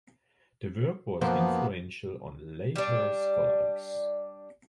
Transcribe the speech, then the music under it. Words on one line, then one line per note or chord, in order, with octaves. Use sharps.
The work was influential on later scholars.
F#2 F3 A#3 B3 C5
G3 D4